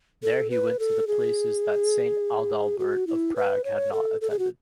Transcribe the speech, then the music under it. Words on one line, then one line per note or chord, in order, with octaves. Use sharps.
There he went to the places that Saint Adalbert of Prague had attended.
A4
B4
A4
G#4
F#4
E4
B4
C#5
A4
A4
G#4
F#4